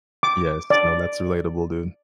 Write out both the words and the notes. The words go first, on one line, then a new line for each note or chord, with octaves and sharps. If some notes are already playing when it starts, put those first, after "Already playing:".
yes, no, that's relatable, dude.
D6
D5